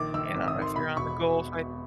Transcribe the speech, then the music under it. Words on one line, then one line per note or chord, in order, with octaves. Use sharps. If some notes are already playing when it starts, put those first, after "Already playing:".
You know, if you're on The Gulf,
Already playing: A#1 D#3 D6
D#3 E6
G#1
D#6
D#3
C6
B2 B5
E1 C#6